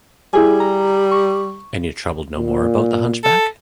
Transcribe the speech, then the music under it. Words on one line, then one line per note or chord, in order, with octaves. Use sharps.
And you troubled no more about the hunchback?
G3 E4 G#4 G#5
A#5
C#6
A#2
A4